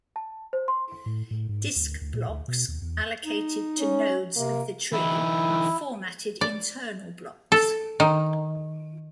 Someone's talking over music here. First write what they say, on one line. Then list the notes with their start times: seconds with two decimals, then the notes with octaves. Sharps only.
Disk blocks allocated to nodes of the tree are "formatted internal blocks".
0.16 A5
0.53 C5
0.68 C6
1.06 A2
1.31 A2
1.49 G#2
1.76 D2
2.01 D2
2.14 A#2
2.29 D2
2.48 B2
2.68 D#2
2.82 E2
3.25 D#4
3.80 C#4
4.36 C3 A#3
4.93 E3 D#4 E4
6.41 D5
7.52 A4
8.00 D#3